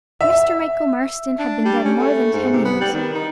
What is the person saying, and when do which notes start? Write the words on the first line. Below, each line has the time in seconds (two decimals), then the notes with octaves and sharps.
Mr. Michael Marston had been dead more than ten, years.
0.21 E5
1.39 D4
1.65 G3
1.84 C#4
1.98 A3
2.33 G#2
2.53 C3
2.65 B3
2.81 G3
2.93 D#3
3.15 D#4